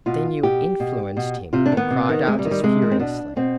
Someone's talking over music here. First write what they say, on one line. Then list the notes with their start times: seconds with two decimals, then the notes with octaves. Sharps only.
"Then you influenced him," cried Artis furiously.
0.06 B2 F4
0.43 B2 G4
0.80 B2
1.17 B2
1.53 C3 F4
1.66 D4
1.72 D#3
1.77 B3
1.90 C3
2.09 D#3
2.27 C3 G#3
2.39 G3
2.45 D#3
2.51 G3
2.64 C3 G#3
2.82 D#3
2.91 C4
2.99 B2 D4
3.36 B2 C4